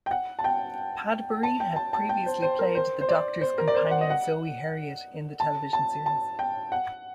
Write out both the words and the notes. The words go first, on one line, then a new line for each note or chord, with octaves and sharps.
Padbury had previously played the Doctor's companion Zoe Herriot in the television series.
G5
F#5
A5
G5
A5
G5
A5
A5
G5
C5
C5
A#4
C5
C5
D5
C5
A#4
D5
C5
F#5
D#5
F#5
A5
A5
A5
G5
F#5